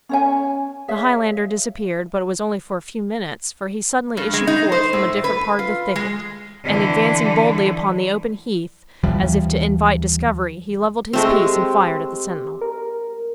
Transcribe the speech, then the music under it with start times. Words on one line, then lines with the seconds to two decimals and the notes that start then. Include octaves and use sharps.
The Highlander disappeared, but it was only for a few minutes, for he suddenly issued forth from a different part of the thicket, and, advancing boldly upon the open heath as if to invite discovery, he levelled his piece and fired at the sentinel.
0.09 C#4 C#5 G#5
0.88 G#4 C#5 E5 F5
4.17 G2
4.33 G#3
4.47 D#4
4.72 C5
4.93 A2
5.24 B4
5.59 F4
5.96 G#3
6.64 D3 E3
9.03 D#2 E3 F3 G3
11.13 G#3 A3 C4
11.32 G4
12.61 A#4